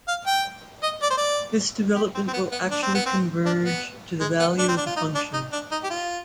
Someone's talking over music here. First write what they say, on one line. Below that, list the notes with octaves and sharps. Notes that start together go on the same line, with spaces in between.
This development will actually converge to the value of the function.
F5
G5
D#5
D5
C5
D5
G4
C4
C4
B3
B3
D4
C4
B3
C4
D4
B3
G#3
B3
D4
C4
D4
F4
D#4
D4
D#4
D4
D#4
G4
F4